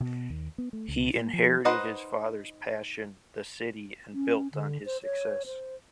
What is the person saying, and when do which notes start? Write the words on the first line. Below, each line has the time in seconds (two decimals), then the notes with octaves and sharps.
He inherited his father's passion the city and built on his success.
0.01 B2
0.30 D#2
0.58 B3
0.73 A3
0.88 C#2
1.17 A#3
1.33 F3
1.65 D#4 B4 C5 D#5 F#5
4.14 C#4
4.53 D3
4.85 C5
5.03 C#5
5.46 C5